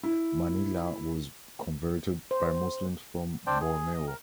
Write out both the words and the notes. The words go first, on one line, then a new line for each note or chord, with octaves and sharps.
Manila was converted by Muslims from Borneo.
E4
C5
C4 D4 C5 D5 G5
G#4
D#5
A#4